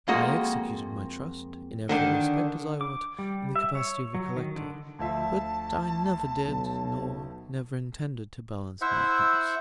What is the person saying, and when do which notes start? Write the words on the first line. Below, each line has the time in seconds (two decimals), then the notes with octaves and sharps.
I executed my Trust, in every Respect, as I ought, in the Capacity of a Collector; but I never did, nor never intended to balance my Accounts.
0.08 F2 G#3 A#3 F#4 D#5
1.89 D3 D#3 D4
2.81 D6
3.19 G3
3.56 E5
3.75 C#5
4.15 F#3
4.37 D#3
4.56 D3
4.99 D2 F3 E5 A5
6.46 B1
8.81 E4 C5 E5 F#5